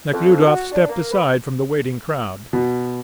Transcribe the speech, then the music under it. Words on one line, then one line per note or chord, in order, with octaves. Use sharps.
Nekhludoff stepped aside from the waiting crowd.
F2
F#4
D4
A#3
B4
B2